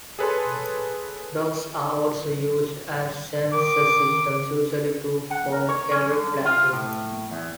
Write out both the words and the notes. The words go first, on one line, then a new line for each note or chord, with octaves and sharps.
Dogs are also used as sensor systems, usually two for every platoon.
G#4 A4 B4 C#5 A5 C6
D#3 D6
F#5
A#4
C#5
C#4
D3
F4
A2
E2